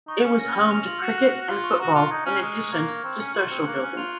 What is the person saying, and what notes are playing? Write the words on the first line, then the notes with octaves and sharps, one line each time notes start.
It was home to cricket and football in addition to social buildings.
D#4 C#6
C#4 C#7
C#4 A#6
F6
F7
F4 F#7
F#4 C#7
F#6
F#6
F#4
F4 F#6
C#6
F#4 A#5
F4 C#7
D#4 G#6
C#4 F6
G#3 C#6
C#6
A#3 G#6
F6
C4 C#6
C#4 C#7
F4 F#7
C4 C#7
A#3 F#6
C#4 F#6
F4 F7